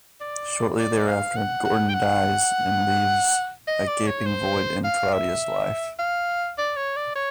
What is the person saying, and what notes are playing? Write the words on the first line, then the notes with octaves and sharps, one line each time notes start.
Shortly thereafter, Gordon dies, and leaves a gaping void in Claudia's life.
D5
D5
F5
F#5
F#5
G5
F#5
D#5
D5
C#5
C5
F5
E5
F5
D5
C#5
D5
C#5